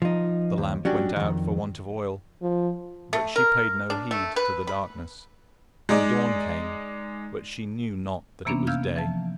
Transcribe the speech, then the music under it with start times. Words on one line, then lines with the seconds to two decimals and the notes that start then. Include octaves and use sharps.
The lamp went out for want of oil, but she paid no heed to the darkness, and dawn came, but she knew not that it was day.
0.02 F3 D#4
0.58 D#2
0.85 F#3 C#4 D4 F#4 G4
1.16 F2 D#3
2.42 F3
3.13 A3
3.36 A#4
3.90 D4
4.11 A3
4.36 B4
4.67 B5
5.89 G#3 D#4 D5
8.45 C3 E3 A#3 B3 C#4 D4
8.67 F5 E6 F6 G6 G#6
8.96 E3 F3 A5